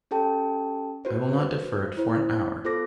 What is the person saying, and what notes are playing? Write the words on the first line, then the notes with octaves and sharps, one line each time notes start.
I will not defer it for an hour.'
C#4 G4 A4 G5 A5
F#4 B4 C5
E4 C5
B3 F4 A4 C5 D6 A#6